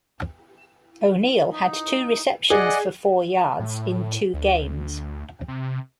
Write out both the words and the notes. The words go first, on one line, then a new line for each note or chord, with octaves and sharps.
O'Neal had two receptions, for four yards, in two games.
D#4
G#4 D5 D#5 F#5
A2
D2
C3